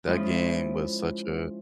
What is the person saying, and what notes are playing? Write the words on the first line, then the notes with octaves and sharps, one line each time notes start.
That game was such a
F3 G#3 C#4 E4 F4